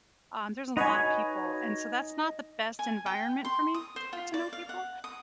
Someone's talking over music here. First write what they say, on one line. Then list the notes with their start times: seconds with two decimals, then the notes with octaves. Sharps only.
um, there's a lotta people, and so, that's not the best environment for me to get to know people,
0.77 D#4 F#4 B4 C#5 G#5
2.79 G#5
3.06 G5
3.45 C6
3.74 D#6
3.96 C5
4.13 F4
4.34 D5
4.53 F5
4.69 F#5
5.04 D#6